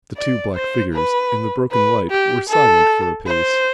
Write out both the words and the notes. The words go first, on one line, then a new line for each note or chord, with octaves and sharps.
The two black figures in the broken light were silent for a space.
D5
C5
B4
B4
G4
A4
C5